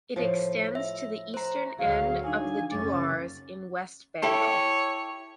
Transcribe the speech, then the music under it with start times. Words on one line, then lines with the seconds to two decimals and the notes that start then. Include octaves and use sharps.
It extends to the eastern end of the Dooars in West Bengal.
0.16 A2 F3
0.75 E5
1.34 C5 A#5
1.78 D2 F#3 G#4 F5
2.23 D4 D#4 F5 G#5
2.71 F#1 F#2 C#4 D6 A6
4.22 E4 G4 A4 C#5